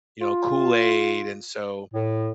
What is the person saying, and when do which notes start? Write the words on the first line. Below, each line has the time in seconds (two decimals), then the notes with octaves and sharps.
you know, Kool-Aid, and so,
0.21 F4
1.94 A2